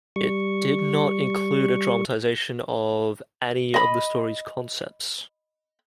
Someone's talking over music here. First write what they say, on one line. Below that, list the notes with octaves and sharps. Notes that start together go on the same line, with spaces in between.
It did not include a dramatization of any of the story's concepts.
G3 C#6
D#5 B5